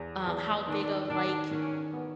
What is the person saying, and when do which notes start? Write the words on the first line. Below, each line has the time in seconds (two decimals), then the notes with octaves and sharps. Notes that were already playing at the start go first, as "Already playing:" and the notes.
um, how big of like,
Already playing: E2
0.26 E2
0.68 D#3 D4
1.09 D#3 D4
1.51 D#3 C#4
1.93 B3